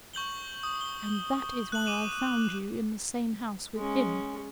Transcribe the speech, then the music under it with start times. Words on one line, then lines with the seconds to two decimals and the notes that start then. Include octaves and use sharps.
"And that is why I found you in the same house with him."
0.14 C#6 G6 F#7 G7
0.63 D#6
0.81 G7
1.72 F#6 F#7
1.86 D6 D#7 E7 F#7
3.76 G#3 C#4